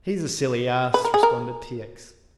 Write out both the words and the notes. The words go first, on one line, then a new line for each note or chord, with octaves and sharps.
"He's a silly ass," responded T. X.
B4
A#4
G#4
A#4